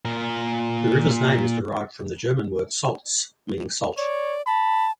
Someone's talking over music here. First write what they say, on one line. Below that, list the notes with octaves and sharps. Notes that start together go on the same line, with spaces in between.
The river's name is derived from the German word "Salz", meaning salt.
A#2 A#4
C#5 D5
A5 B5